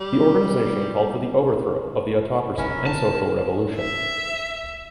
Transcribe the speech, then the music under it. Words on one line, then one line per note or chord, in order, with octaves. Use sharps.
The organization called for the overthrow of the autocracy and social revolution.
G3
F1 C#4 E4 A#4
C4 A5
E5